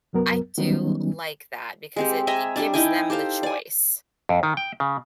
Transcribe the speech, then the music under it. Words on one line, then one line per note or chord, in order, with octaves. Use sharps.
I do like that, because it g gives them the choice
C2 F#2 F#3 B3 A#4
D#3 F#3 G3 B3 C#4 D#4
G#3 C4 G4
D#5 E5 G#5 A#5
G3 D4 D5
D#4 E4 G5 G#5
G4 A4 C5 F5
D5 G#5
F2
D#3
G5
C#3